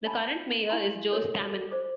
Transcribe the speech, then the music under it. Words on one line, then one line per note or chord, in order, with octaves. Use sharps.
The current mayor is Joe Stammen.
D5 F5 G#5 A5 B5
E4 G4 F5 G#5 A#5 C6
F#4 A4 A#4 C#5 D5
C5 D5 D6